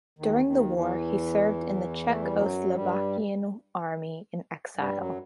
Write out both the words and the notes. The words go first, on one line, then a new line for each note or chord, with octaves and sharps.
During the war he served in the Czechoslovakian army in exile.
D#2 D#3
D#2 D#3
E2 E3
A3
G3
F#2 F#3
G2 G3
G2 G3
F#2 F#3